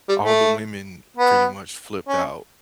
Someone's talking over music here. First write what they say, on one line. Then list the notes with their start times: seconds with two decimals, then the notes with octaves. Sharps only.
All the women pretty much flipped out,
0.09 G3
0.24 A3
1.17 B3
2.08 C#4